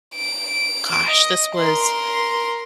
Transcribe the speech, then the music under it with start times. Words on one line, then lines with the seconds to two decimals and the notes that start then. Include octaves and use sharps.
Gosh, this was
0.15 D7
1.09 D#5
1.56 A#4 C6